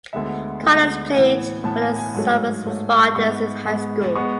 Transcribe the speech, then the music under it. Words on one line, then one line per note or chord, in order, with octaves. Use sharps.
Connors played for the Somers Spartans in high school.
D2 D3 G#3 B3 E5
D2 D3 G#3 B3
A2 E3 B3 F#5
A2 E3 B3 A5
G#5
G#5
G#2 F#3 A3
G#2 F#3 A3
G#2 G#3 B3 C#6
G#2 G#3 B3
G#3 B3 C#6